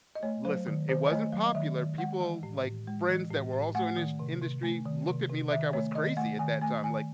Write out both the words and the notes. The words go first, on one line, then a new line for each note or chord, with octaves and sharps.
L listen, it wasn't popular. People like, friends that were also in this industry looked at me like I was crazy at that time, like,
D#5
A3 C#5
F#3 C5
D#3
D#3 C5
D#5
A3 C#5
F#3
D#5
D#3 E5
D#3
G#3 F#5
E3
A2
A2
G#3
E3
A2
A2
A3 F#5
D#3
C3
C3
A3
D#3
C3
C3
D#3 E5
A3 C#5
D#3 D#5
A3 F#5
D#3 G#5
A3 G#5
D#3 G#5